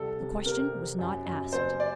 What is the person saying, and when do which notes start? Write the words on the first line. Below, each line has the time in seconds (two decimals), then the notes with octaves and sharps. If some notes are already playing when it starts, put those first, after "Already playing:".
The question was not asked.
Already playing: C2 A4
0.20 C3
0.46 C3 A#4
0.72 C3
0.99 F#2
1.26 F#2
1.53 F#1 C5
1.80 D5